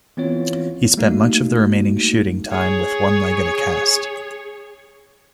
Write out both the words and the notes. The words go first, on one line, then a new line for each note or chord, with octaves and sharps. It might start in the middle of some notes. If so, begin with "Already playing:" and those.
He spent much of the remaining shooting time with one leg in a cast.
E3 B3 C4 F4 C#5
G3 A3 A#3 D#4 F#4
G#4 C#5